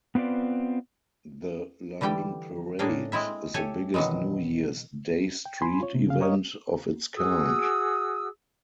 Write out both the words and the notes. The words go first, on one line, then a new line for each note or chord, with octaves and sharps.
The London parade is the biggest New Year's Day street event of its kind.
B3 C4 F4 B4 D5
D3 E3 G3 G4 G5
A2 A#3 D4 G#4 F5 G5
G#3 C4 E4 E5
G4 A4 C#5 E5 G#5
B2 D#3 E3 F#3 G#3
G5
G#5 B5 C6
F4 C#5
C3
C#3 G#4 F5
G4 A#4 C#5 D#5 F5
F#4 G#4 D#6 E6